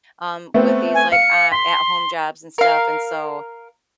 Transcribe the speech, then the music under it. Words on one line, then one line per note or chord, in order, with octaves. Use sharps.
um, with these, like, uh, at home jobs and stuff, and so
A3 B3 C4
G#5
F5 C#7
C6 B6
A#4 F5